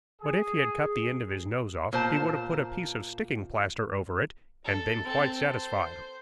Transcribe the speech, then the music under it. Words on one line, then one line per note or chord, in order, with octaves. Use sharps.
But if he had cut the end of his nose off, he would have put a piece of sticking-plaster over it, and been quite satisfied.
G#4
A#2 C5 A5
A4
C4 A4
C5